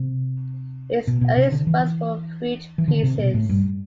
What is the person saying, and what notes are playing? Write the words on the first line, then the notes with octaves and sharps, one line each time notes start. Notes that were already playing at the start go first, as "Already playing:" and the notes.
His earliest works were fruit-pieces.
Already playing: C3
B2
B2
C3
D3
E3
E3
D3
C3
B2
A2
G2